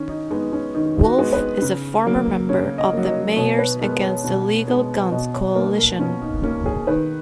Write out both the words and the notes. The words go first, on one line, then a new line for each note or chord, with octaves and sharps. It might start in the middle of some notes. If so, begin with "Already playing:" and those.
Wolf is a former member of the Mayors Against Illegal Guns Coalition.
Already playing: D#3 C#4
D#4
G#3 B3 D#4
C#4
D#3 D#4
F#4
G#3 B3
B4
C#3
F#3 A#3
C#3 C#5
D#5
F#3 A#3
D#5
B2 C#5
B4
G#3 B3 A#4
C#5
B2
G#3 B3
B2 D#5
C#5
A#3 B4
A#4
B2 C#4
D#4
A#3 C#4
G#4
D#3 B4